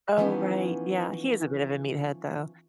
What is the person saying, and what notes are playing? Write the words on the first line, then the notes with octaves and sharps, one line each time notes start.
Oh, right yeah, he is a bit of a meathead, though.
E3 F3 G3 B3 C#4 D#4